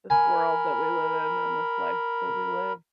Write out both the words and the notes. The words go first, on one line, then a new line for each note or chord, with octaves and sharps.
this world that we live in, and this life that we live.
A#4 G#5 B5